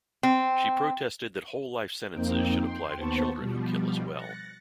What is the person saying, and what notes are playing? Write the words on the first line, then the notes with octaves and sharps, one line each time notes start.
She protested that whole life sentences should apply to children who kill as well.
C4
F2 A#3 C4 D#4 G5
G5 C6
D#2 B3 C5 A5 C#6
B2 F3 G3
F#6 A6 A#6 C#7